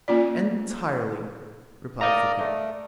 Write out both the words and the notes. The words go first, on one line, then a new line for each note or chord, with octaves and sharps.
"Entirely," replied Fouquet.
A#3 C#4 F4 D5
A#4 D5 D#5 F5 A#5
A3 D5